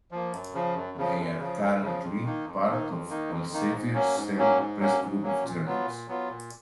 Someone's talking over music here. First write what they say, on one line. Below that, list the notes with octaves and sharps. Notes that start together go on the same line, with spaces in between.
They are currently part of Elsevier's Cell Press group of journals.
F3 A#3
F#2
C#3 F3
F#2
C#3 F3
F#2
C#3 F3
F#2
C#3 F3
F2
D#3 A#3 D#4
F2
D#3 A#3 D#4
F2
D#3 A#3 D#4
F2
D#3 A#3 D#4
G#2
F#3 A#3 C#4
G#2
F#3 A#3 C#4
G#2
F#3 A#3 C#4
G#2
F#3 A#3 C#4
A#2
F#3 B3 F4
A#2
F#3 B3 F4
A#2